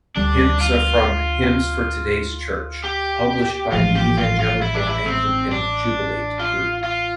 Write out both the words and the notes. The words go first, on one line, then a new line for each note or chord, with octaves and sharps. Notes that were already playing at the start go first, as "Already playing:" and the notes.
Hymns are from "Hymns for Today's Church", published by the evangelical Anglican "Jubilate" group.
D2 D3 G3 D4
F4
G4
A1 A2 F3 F4
G4
F4
F4
E4
D4
E4
C4
D4
F4
F4